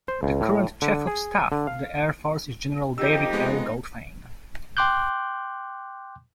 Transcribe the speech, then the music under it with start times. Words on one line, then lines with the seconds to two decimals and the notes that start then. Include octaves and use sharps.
The current Chief of Staff of the Air Force is General David L. Goldfein.
0.08 C5
0.23 C#2
0.41 A2
0.82 D3
1.07 G#4
1.52 D3
1.67 F5
2.98 F2 D#4 G4 E6
3.33 G#3 B3
4.77 G5 C6 D6 F#6 G6